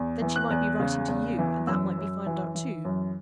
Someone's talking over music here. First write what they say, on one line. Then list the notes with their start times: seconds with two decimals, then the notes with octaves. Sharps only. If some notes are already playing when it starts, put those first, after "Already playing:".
Then she might be writing to you, and that might be found out, too.
Already playing: E2
0.22 E3
0.36 F#6
0.51 E2
0.80 C#3
1.09 E2
1.38 E3
1.67 F#2 E6
1.97 F#2
2.26 E3
2.55 E3
2.85 F#2